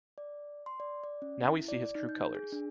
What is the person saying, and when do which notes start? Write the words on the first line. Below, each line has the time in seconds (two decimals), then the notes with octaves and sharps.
Now we see his true colors.
0.18 D5
0.66 C6
0.80 D5
1.04 D5
1.22 C#4
1.48 E4
1.68 D5
1.95 D#4
2.09 G6
2.35 G#4
2.52 D4